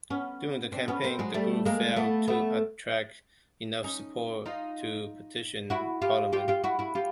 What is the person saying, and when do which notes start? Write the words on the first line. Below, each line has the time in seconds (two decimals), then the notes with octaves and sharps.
During the campaign, the group failed to attract enough support to petition parliament.
0.10 B3 C#4
0.72 C4 D4
0.88 B3 C#4
1.04 A#3 C4
1.19 F#3 G#3
1.34 G3 A3
1.65 G#3 A#3
1.96 A3 B3
2.28 A3 B3
3.84 C#4 D#4
4.46 D#4 F4
5.70 E4 F#4
6.02 F4 G4
6.33 F4 G4
6.48 F4 G4
6.64 E4 F#4
6.79 E4 F#4
6.95 F4 G4